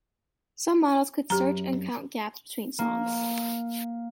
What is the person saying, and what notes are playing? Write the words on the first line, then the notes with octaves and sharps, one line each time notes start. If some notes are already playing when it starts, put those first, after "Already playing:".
Some models could search and count gaps between songs.
F#2 G4 A#5
A#3